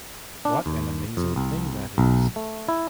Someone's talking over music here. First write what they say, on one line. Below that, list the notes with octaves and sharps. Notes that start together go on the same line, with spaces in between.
What an amazing thing that is!
D4
D#2
F2
C2
B1
A3
E4